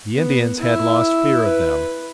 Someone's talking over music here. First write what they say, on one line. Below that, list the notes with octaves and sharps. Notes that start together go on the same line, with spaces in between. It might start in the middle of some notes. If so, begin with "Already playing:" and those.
The Indians had lost fear of them.
B3
E4
B4